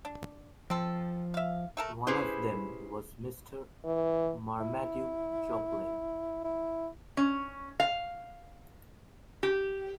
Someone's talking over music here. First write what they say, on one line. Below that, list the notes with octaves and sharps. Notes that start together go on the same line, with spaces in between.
One of them was Mr Marmaduke Jopley.
D4
F3 C4 A4
E5 F5
A3 A4 A#4
C#4 E4 G4 G#4 B4 C5
E3
E4
E4
C#4
F5
G4